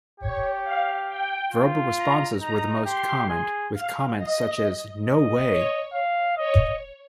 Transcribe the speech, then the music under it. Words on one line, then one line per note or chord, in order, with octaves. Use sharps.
Verbal responses were the most common, with comments such as, No way!
G4 C#5
F5
G5
F4
A#5
D#4 A#5
G4 C6
G#4
F5
D#5
D#5
C#5
F5
C#5 D#5